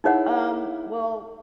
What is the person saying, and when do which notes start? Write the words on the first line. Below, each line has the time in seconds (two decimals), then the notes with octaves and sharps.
Um, well,
0.04 D#4 E4 G#4 C#5 F#5